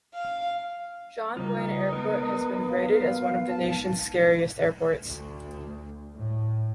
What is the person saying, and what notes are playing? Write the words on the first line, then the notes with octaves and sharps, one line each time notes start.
John Wayne Airport has been rated as one of the nation's scariest airports.
F5
C#3 G3 A#3 D#4 F4 B4
G#3 B3 A#4
F5
A5
D2
A2